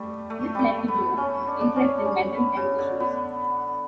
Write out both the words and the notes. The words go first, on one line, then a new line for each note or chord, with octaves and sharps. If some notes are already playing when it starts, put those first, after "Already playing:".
This led to Jones' interest in mental health issues.
Already playing: G3 A3
A3
G3 A3
B3
C#4
D4
D4
C#4
D4
C#4
B3
C#3
D3
B3